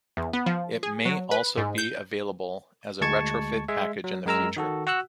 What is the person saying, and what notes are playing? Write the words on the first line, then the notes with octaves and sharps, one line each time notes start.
It may also be available as a retrofit package in the future.
E2
B3
F3
G#4
F#3
B4
G#2
G6
D2 G#3 A5 C#6 G#6
G#3 E5
F#3
F#2 G#3 A#4 A#5 E6
D#3 F#4 A4
F#4 F#5 E6 F#6